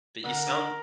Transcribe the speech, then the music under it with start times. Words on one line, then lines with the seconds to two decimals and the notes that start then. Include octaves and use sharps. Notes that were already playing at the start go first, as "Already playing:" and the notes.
But you sound
0.24 D3 A#4
0.47 D3